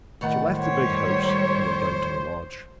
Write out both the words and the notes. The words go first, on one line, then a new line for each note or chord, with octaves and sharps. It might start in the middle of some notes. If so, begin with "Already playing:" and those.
She left the big house and went down to the lodge.
A2 D#3 F#5
G3 C5 C#5